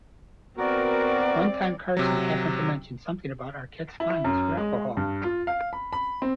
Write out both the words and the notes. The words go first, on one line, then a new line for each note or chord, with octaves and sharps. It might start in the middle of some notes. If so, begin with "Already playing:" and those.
One time Carson happened to mention something about Arquette's fondness for alcohol.
B3 C4 F#4 A#4 D5
C3 F#3
E4
F#2
G#3
G2
F4
F5
B5
B5
C4